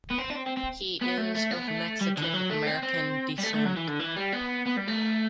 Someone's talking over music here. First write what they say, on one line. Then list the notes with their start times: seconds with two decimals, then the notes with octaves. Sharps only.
He is of Mexican-American descent.
0.11 B3
0.19 C4
0.30 D4
0.36 C4
0.46 C4
0.57 C4
1.01 B3
1.17 A3
1.35 A3
1.51 B3
1.68 A3
2.01 G3
2.18 D3
2.22 E3
2.34 F#3
2.50 A3
2.67 C4
2.83 C4
3.38 G3
3.43 A3
3.55 A3
3.65 F#3
3.77 E3
3.88 D3
3.99 E3
4.16 G3
4.32 B3
4.66 B3
4.77 G3
4.88 A3